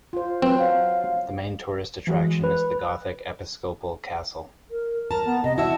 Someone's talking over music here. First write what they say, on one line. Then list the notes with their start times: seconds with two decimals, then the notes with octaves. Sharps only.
The main tourist attraction is the Gothic Episcopal castle.
0.13 F4 C5
0.42 F#3 C4 B4 C5
0.59 F5
2.07 E3 F#3 G#3
2.44 B4
4.71 A#4
5.11 A#4 A5 A#5
5.25 B3
5.44 C3 D#5
5.58 E4 F#4 E5 A5